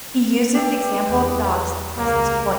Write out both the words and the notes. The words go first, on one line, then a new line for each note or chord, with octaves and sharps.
He uses the example of dogs to press this point.
G4 B4 E5 G5
E2
C#2 A#3 A#5